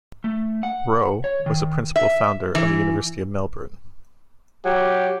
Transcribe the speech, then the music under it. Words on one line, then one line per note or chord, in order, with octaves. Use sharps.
Rowe was a principal founder of the University of Melbourne.
A3
F#5
C#5
D#3
E5
E3
F#3 G4